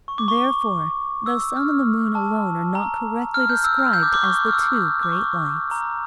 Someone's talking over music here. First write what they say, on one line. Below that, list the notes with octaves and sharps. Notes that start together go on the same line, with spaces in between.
Therefore the sun and the moon alone are not correctly described as the "two great lights."
C#6
D6
C#6
D6
E6
F6
A5
A#5
F6
G6
E6
F6
G6
D6
D6
C#6
F6
E6
D6
C#6
A#5